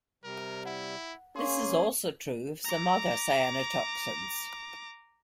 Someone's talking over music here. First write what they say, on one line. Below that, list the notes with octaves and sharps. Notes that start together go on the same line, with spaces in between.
This is also true of some other cyanotoxins.
C3 G3 A#4
E4 F#5
A#3 C#4 G#4 C6 C#6
A#5 D6